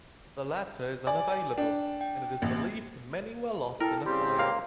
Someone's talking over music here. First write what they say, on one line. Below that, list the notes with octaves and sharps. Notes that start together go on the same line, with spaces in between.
The latter is unavailable, and it is believed many were lost in a fire.
D5 G#5
D4 G5
G5
A1 A#3
E4 A4 A#4 G5 F6
C#3 G3 C4 G4 C6
C#2 A#3 F5